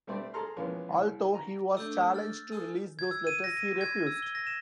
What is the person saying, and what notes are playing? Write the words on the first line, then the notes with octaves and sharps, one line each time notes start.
Although he was challenged to release those letters he refused.
G3 A3 C4 D5
G#4 A4 A#5 C6 F6
F2 E3 G#3 A#3 B3 C#4
C2
A#5
A3 D4 E6 G6
F6 A6
G#4 A4
G#6
E6
D#7
A#6
D#7
G#6
E6
G7
A#6
E7